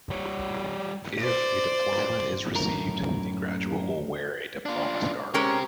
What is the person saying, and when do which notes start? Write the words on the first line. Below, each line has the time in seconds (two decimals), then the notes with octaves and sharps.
If a diploma is received, the graduate will wear a diploma scarf.
0.10 G3 C#5
1.22 C5 D5
2.55 F#2 A2 A#4 A#5
4.66 D4 F4
5.34 G#3 C4 C#4 G4 A#4